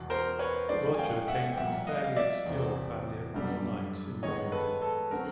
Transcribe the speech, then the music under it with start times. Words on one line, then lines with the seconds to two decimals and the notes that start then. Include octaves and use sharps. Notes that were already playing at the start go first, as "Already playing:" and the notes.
Roger came from a fairly obscure family of poor knights in Normandy.
Already playing: E1 E2 B2
0.10 A#4 C5
0.39 B4 C#5
0.69 G#2 F3 A3 C#4 C5 D5
0.94 G#5
0.98 F5 G5
1.28 E5 F#5
1.53 G5
1.57 A#1 A#2 G3 A#3 E5 F#5
1.87 D#5 F5
2.04 F5
2.16 D5 E5
2.46 E1 E2 C3
3.34 F#2 D3 G3
4.22 G#2 D#3 G#3 B3 C#5 D#5
4.52 A4 B4
4.82 A4
5.11 D3 F#3 A3 C4 A#4